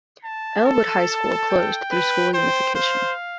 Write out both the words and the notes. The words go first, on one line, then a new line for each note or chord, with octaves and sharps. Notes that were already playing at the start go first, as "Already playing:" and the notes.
Elwood High School closed through school unification.
A5
A4 A5
G5
B4
C5 G5
C5 F5